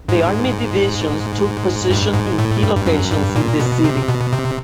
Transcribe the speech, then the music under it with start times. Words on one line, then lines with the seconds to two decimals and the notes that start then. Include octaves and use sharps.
The army divisions took position in key locations in the city.
0.09 G#2
1.90 G2
2.14 G#2
2.39 A2
2.63 G2
2.76 G2
2.86 F#2
3.11 G2
3.35 A#2
3.60 B2
3.84 C3
4.08 B2
4.33 C3